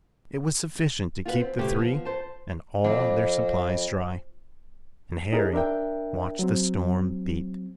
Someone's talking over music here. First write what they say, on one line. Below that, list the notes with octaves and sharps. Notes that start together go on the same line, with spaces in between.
It was sufficient to keep the three and all their supplies dry, and Harry watched the storm beat.
F4 F#4 G#4 B4
C4
D2 C3 E3 A3 G4
F3 B3
F2 C5 A5
F2
D#4 E4 G4 G#4 A#4
D4 A#4 E5 G5
F#3 C4